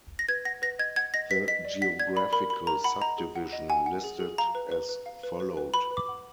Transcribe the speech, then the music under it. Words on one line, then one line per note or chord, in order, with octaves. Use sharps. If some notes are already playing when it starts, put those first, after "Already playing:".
The geographical subdivision listed as followed.
A#6
B4 G#6
F#5 A#6
B4 A#6
D#5 G#6
F#5 G#6
D#5 A#6
B4 B6
D#5 B6
D5
F#5 B6
D5 G#6
D5 B5
A#4 B5
A#4 B5
A#4 A#5
F#5 B5
D#5 A#5
G#4
F#5
D#5
F#5 G#5
F#5
G#4
G#4
F5 A#5
B4
B4
B4
F5
B4
B4
B4
B4 B5
B4
D6
F#5